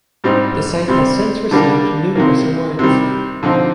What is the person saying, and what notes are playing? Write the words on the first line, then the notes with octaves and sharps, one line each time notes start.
The site has since received numerous awards.
G#2 G3 C4 D#4
C3 G3 C4
D3 G3 A#3 D4
C3 D#3 A#3
C3 D#3 G3
D3 F3 C4 D#4